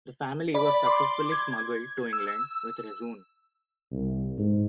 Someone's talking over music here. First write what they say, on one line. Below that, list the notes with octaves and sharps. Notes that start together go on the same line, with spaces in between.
The family was successfully smuggled to England with Rezun.
D5 B5
C6 D6
G#6
E6
C2
G#2